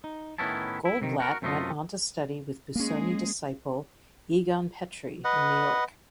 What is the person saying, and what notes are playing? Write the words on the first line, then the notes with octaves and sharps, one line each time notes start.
Goldblatt went on to study with Busoni disciple Egon Petri in New York.
D#4
A2 D#3 B3 C#4 E4 A5
E4
C3 D#3
F#4 A#4
F#2 C3 A3 A#3 F4 D#5
G#3 A#3 C#4 G#4
B4 D#5 F#5